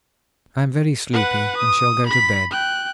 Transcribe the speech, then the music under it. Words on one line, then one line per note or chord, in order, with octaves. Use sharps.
I am very sleepy and shall go to bed....
B4 F#5
D#6
B5 B6
G5 F#6